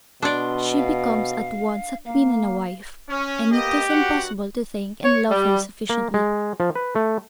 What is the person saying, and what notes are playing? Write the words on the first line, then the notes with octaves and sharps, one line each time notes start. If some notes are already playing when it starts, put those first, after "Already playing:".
She becomes at once a queen and a wife, and it is impossible to thank and love her sufficiently.
B2 D4 D5 C6
F5
A#3 F5
C#4
A#3 B3 G4 D#5
G2 F#4 F#5
C#5
G3
A#3
G#3
F3
B4
A3